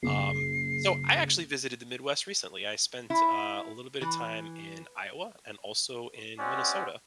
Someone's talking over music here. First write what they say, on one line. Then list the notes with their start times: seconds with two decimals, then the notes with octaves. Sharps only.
Um, so I actually visited the Midwest recently. I spent, uh, a little bit of time in Iowa and also in Minnesota,
0.03 F#1 C7
3.10 E4
4.01 E3
6.39 G#3 C4 C#4 F#4 D5 F#5